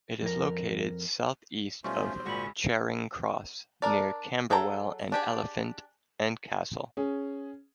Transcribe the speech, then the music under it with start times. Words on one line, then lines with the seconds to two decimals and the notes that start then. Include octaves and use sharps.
It is located south east of Charing Cross, near Camberwell and Elephant and Castle.
0.22 F2 A#4
1.84 B1 B2 G3 A3 C#4 F4 C5 C#6
2.26 G#1 C#2 A#2 G#3 C#4 F#4 B5 C#6
3.82 D4 A#4 D5
4.50 F#3 G#4 A4 G5 A#5
5.12 D4 G4 G#4
6.97 C#4 G#4